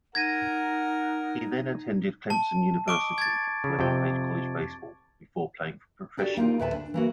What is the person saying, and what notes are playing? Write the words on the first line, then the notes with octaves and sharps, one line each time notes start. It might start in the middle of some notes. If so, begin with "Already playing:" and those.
He then attended Clemson University, where he played college baseball, before playing professionally.
D#4 A#4 F#5 G#6 A#6 D#7
A5
D#5 C#6 D6 D7
G#6 A6
C#3
F2 C3 G5
D4 F#4 G4 A4 B4 D5
A#3 D#4 F4 G4
D2 A2 B4 E5 G5 A5
D4
E3 A#3 F#4